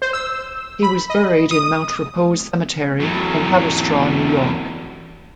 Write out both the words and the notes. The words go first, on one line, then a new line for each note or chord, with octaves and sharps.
He was buried in Mount Repose Cemetery in Haverstraw, New York.
C5
E6
B5
D#5
D#6
E2 F#3